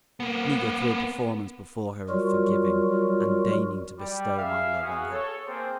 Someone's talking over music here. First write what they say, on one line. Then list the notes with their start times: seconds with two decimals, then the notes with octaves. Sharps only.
Me go through a performance before her of forgiving, and deigning to bestow my love on her!...
0.20 A#3 B3
2.09 F#3 G3 F4 F#4 A#4
3.98 G3
4.36 G#4 E5 F5
4.80 B3 F#4 G#4
5.11 A4 C#5
5.46 A#3 C4 G#4 C5